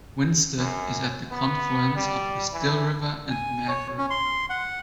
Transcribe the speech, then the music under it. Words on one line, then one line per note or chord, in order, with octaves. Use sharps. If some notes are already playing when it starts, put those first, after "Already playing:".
Winsted is at the confluence of the Still River and Mad River.
F#2
B3
G3
E3
G#5
C#5
C#4
C6
F#5